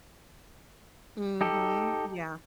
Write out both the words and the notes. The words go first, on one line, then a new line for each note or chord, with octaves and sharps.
Mhm, yeah.
D#4 G4 A4